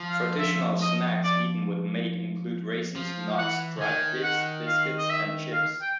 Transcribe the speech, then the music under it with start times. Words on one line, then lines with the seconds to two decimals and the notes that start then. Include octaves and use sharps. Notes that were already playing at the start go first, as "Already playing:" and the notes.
Traditional snacks eaten with mate include raisins, nuts, dried figs, biscuits, and chips.
Already playing: F3
0.10 F5
0.39 E5
0.82 D#5
1.24 D5
2.96 F3
3.39 E3 F#5
3.76 D3
3.81 D#3 G#5
4.24 F#5
4.67 F5
4.98 D#5
5.10 E5
5.53 F5
5.82 G5